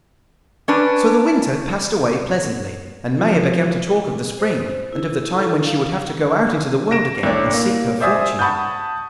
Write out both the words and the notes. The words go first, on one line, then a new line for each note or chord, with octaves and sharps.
So the winter passed away pleasantly, and Maia began to talk of the spring, and of the time when she would have to go out into the world again and seek her fortune.
C#4 D4 B4
F3
C5
E4
D#4 A4
F5
A#6 D7 E7
C2 A2 D4 C#5
A#3
C5 D5 E5 G#5 D#6 G#6
F#5 A5 B5 C#6 D#6 G6